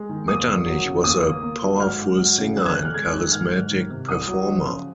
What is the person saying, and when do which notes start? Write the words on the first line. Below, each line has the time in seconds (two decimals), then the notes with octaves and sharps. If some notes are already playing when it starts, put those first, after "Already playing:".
Metternich was a powerful singer and charismatic performer.
Already playing: G#3
0.09 D#3
0.28 D#2 D#6
0.47 D#2
0.66 F#3
0.85 C#3
1.04 D#2 D#6
1.23 A#3
1.42 A#3
1.61 F#3
1.80 G#2 F6
2.00 G#2
2.18 F#3
2.38 C#3
2.56 F2 F#6
2.65 G#6
2.75 F2 F#6
2.85 F6
2.94 G#3 G#6
3.13 D#3 F#6
3.32 G#2 F6
3.51 G#2
3.71 D#3
3.90 C3
4.08 C2 D#6
4.27 F#3
4.46 F3
4.65 C#3